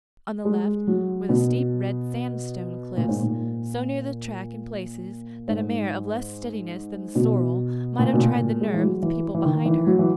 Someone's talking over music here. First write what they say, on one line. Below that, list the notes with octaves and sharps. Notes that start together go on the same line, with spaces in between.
On the left were the steep red sandstone cliffs, so near the track in places that a mare of less steadiness than the sorrel might have tried the nerves of the people behind her.
G#3
F#3
B2
A#2
G#2
A#2
G#2
B2
A#2
B2
A#2
A#2
G#3
E3
F#3
E3
E3
D#3
E3
F#3
E3